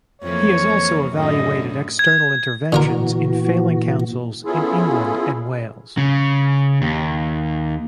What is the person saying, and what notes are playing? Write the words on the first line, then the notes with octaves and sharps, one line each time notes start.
He has also evaluated external interventions in failing councils in England and Wales.
F2 E3 A#3 C#5
F#2 A2 D3 D#5
G#6
A#2 D3 E3 F4 F#4 A#4
B3 C#4 E4 F4 G#4 A4
C#3
D#2